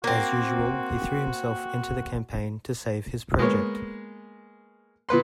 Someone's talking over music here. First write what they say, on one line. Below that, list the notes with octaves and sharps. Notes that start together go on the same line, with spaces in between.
As usual he threw himself into the campaign to save his project.
A#3 C4 F#4
G#3 A#3 B3 C#5
A#2 B3 B4 C6